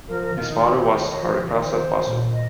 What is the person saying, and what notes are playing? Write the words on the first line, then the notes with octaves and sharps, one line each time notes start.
His father was Hariprasad Basu.
F3 A#4
A#4
D#3 F4
D#4
F4
D#3 G4
G4
C5
D#5
F3 C5
D#3 D#5
C5
A#2
D#5